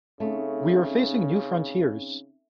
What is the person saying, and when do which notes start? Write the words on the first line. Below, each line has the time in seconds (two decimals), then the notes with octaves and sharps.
We are facing new frontiers.
0.20 C#3 A3 C4 C#4 D#4